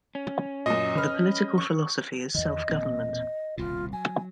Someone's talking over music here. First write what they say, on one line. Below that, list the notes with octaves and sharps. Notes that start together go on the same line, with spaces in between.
The political philosophy is self-government.
C#4
F#2 A#2 D#5
B4 F6
C#6
E2 D#3 D#5
E1 A#2 C4
D#1 C2 B2 F4
F#3 G#5